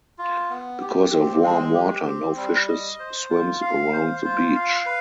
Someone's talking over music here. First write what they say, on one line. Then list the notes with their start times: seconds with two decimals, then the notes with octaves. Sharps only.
Because of warm water no fishes swims around the beach.
0.18 F4
0.50 B3
0.81 G4
1.13 C4
1.43 G#3
1.74 G4
2.06 C4
2.37 G3
2.69 D#5
2.99 C5
3.30 F4
3.62 F5
3.93 C5
4.25 F4
4.55 F5
4.86 B4